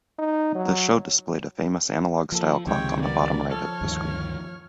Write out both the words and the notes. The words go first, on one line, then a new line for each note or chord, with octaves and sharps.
The show displayed a famous analogue-style clock on the bottom-right of the screen.
D#4
F#3
F3 A#3 A4
C#2 C3 D#3 F3 G#3 C#5 G5
G3 B3 A#4 D5
F3 A4 C#5 F6
D2 G2 D#3